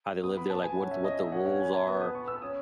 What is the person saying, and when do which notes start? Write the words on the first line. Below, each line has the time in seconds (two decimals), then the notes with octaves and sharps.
how they lived there, like, what what the rules are,
0.22 B3 D#6
0.37 B5
0.50 A5
0.64 G#5
0.77 C#4 F#5
0.91 E5
1.04 D#5
1.19 D#4 E5
1.32 C#4 F#5
1.46 F#5
1.60 G#5
1.73 A5
1.86 B3 D#6
2.01 D#6
2.15 C#6
2.28 E6
2.42 C#4 D#6